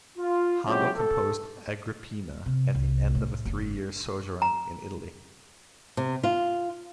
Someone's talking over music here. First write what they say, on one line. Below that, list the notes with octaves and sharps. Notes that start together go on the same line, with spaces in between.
Handel composed "Agrippina" at the end of a three-year sojourn in Italy.
F4
F#3 G#3 C4 C#4 E4 G4
A4
C3
C2
A2
F#1 C#4
A#5
C3
F4